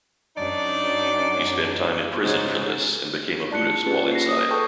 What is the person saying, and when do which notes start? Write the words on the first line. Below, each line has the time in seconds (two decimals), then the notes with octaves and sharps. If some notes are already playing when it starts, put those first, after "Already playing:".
He spent time in prison for this and became a Buddhist while inside.
0.37 F#2 D4 D#4 D5
2.22 G#2 C#3
3.51 D5 A5 F#6 C#7
3.86 A#3 C#4 F4 G4 G#4 B4
4.11 A#6 C7
4.29 D#6
4.51 A4 B4 G5 A5 C#6 G6